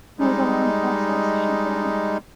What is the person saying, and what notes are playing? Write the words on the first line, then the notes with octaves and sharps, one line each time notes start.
It was a long process, she said.
G3 G#3 D#4